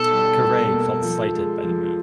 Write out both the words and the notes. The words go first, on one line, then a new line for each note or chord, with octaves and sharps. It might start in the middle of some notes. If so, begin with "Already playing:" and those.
Caray felt slighted by the move.
Already playing: B2 D#4 A4
G3
B2
A#3
F3
G#3
F3